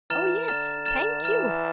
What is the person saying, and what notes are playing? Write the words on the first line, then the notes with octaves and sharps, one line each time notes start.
Oh yes--thank you.
E3 A#5 F6 A6 E7
D3 A#5 F6 A6 E7
A#5 F6 A6 E7
E3 A#5 F6 A6 E7